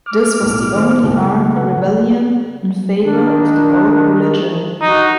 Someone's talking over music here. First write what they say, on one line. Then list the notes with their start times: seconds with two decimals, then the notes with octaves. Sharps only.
This was the only armed rebellion in favor of the old religion.
0.06 D6 F6
0.41 B1 A2
0.75 D#3 C4
1.03 C2 G#2 C#3
1.56 A3 B4 F#5
3.01 D#3 D4
4.82 D#4 F#4